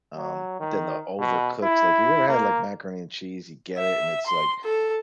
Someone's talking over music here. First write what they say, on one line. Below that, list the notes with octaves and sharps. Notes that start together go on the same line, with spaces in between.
um, than the overcooked, like, you ever had, like, macaroni and cheese, you get it, and it's, like,
F#3
D#3
B2
E4
A#3
E5
C6
A4